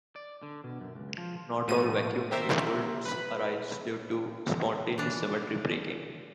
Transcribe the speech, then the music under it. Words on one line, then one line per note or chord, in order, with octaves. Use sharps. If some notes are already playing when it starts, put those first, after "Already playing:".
Not all vacuum manifolds arise due to spontaneous symmetry breaking.
D5
D3
B2
F#2
C#2
F3
A2 F3 F#4 D#7
G4 A#4 C5 E5
B4 B5
E3 D4